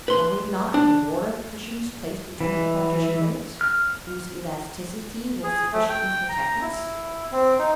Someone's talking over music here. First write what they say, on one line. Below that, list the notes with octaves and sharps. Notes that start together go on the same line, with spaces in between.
"Have we not the water-cushions placed between the partition- breaks, whose elasticity will sufficiently protect us?"
B4 C6
D4
E3
F6
G#4
A3
G5
A#5
E4
C4
D#4